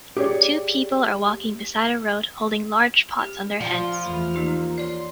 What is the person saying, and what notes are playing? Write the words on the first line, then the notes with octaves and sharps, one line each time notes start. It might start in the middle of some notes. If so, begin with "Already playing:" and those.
Two people are walking beside a road, holding large pots on their heads.
G4 G#4 C#5 D5
G4
F3 D5
E2 A3 F5 B5 C6 F6
E3 A#3 D#4 G4
C#5 D5 C6